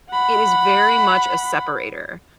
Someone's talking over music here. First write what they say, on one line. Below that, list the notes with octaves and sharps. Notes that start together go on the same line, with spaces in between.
it is very much a separator.
F#5 B5